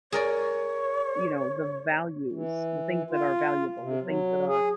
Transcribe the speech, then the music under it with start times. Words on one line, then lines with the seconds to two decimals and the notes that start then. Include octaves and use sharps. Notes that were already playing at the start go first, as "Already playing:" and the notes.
you know, the values, the things that are valuable, the things that are
0.12 G#4 A#4 C#5 D5
2.32 E3
3.10 F4
3.80 C3
4.02 F#3
4.47 G#4